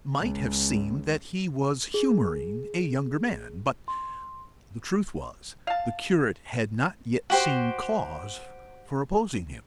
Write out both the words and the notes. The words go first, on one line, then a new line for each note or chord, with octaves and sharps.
It might have seemed that he was humouring a younger man, but the truth was, the curate had not yet seen cause for opposing him.
C#2
G#4
C6
F5 A5
F#4 G4 C5